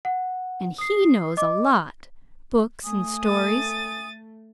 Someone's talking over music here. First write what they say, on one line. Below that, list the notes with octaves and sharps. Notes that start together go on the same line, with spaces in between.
And he knows a lot--books and stories!
F#5
D#6 C7
D#5 D6
A3 G#5 D#6
A6 D#7